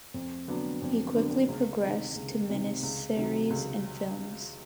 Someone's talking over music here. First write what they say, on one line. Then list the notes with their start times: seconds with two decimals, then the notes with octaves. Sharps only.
He quickly progressed to miniseries and films.
0.14 F2
0.48 D3 F#3 B3 D4
0.82 F2
1.15 D3 F#3 B3 D4
1.48 C#2
1.83 C3 D#3
2.16 C#2
2.49 C3 D#3
2.83 C#2
3.16 C3 D#3 F#3
3.50 C#2